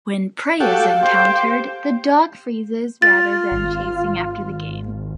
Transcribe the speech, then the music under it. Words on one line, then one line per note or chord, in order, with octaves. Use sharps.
When prey is encountered the dog freezes rather than chasing after the game.
F#4 G4 A4 F5
G4 C5
F4 A6
G#1